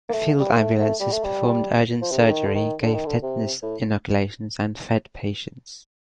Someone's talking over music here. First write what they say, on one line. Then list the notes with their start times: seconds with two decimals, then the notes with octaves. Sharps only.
Field ambulances performed urgent surgery, gave tetanus inoculations and fed patients.
0.09 A#3
0.13 A3
0.40 G3
0.52 A#3
0.60 A3
0.80 A3
1.00 G3
1.12 A3
1.24 G3
2.02 F3
2.11 C3
2.19 D3
2.29 D#3
2.47 D3
2.55 D#3
2.82 D3
2.94 D#3
3.06 D3
3.23 C3
3.63 A2